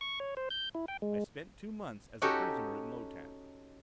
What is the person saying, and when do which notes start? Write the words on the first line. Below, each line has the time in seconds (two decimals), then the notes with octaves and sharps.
I spent two months as a prisoner in Lo-Tan.
0.01 C#6
0.20 C#5
0.37 C5
0.51 G6
0.75 E4
0.88 G5
1.02 G#3
2.22 C#4 D#4 F#4 G4 A4